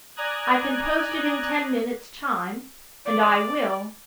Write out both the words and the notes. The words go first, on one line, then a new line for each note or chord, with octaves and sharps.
I can post it in ten minutes' time--and I will!
D5 G#5 A#5 D#6 F#6 G#6
D5